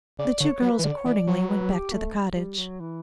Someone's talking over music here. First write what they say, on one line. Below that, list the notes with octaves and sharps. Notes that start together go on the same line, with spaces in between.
The two girls accordingly went back to the cottage.
C#3 D5
D3 C#5
F#3 B4
E3
D3 D5
C#5
E3 D5
F#3 C#5
B4
G4
A3
G3
F#3
E3